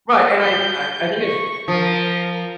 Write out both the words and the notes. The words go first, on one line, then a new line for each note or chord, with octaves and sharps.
Right, and I I I think it's
G6
C#6
F3 A#4